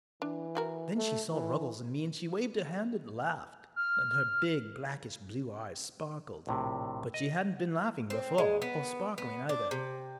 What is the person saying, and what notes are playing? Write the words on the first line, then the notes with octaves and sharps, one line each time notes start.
Then she saw Ruggles and me and she waved her hand and laughed, and her big blackish-blue eyes sparkled; but she hadn't been laughing before, or sparkling either.
E3 D4
E4 F#4 A#4
A3
E3
F6
A#1 A2 C3
D#5
C4
G#3
B3
B3
D4
C3